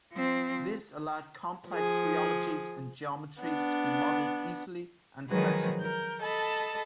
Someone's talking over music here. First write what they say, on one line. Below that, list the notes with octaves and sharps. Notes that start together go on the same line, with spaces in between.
This allowed complex rheologies and geometries to be modelled easily and flexibily.
F3 C4
F3 G#4
B3 D4
D#3 F3 F#3 G#3 G#4 B4
A#4 G6
A4 D#5 A5 B5